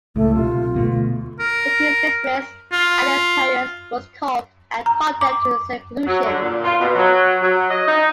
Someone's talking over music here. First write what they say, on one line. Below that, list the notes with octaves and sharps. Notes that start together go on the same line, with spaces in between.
The king's mistress, Alice Perrers, was called and condemned to seclusion.
C#2 A2 A3
B1 C3 F4
D2 B2 A3
A#4
F4
A#5
D6
F#3
D3
A#2
F4
B2
F#3
F#3
D#5
D#4